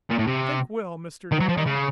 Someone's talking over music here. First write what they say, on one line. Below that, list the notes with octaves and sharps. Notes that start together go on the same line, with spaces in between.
"Think well, Mr. Dale!"
A#2
A2
C3
D#3
F#3
F3
D#3
C#3